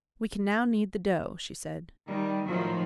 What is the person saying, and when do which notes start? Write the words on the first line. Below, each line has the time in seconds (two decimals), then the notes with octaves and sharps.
"We can now knead the dough," she said.
2.08 D#3 G3
2.47 A2 D#3 F3 F#3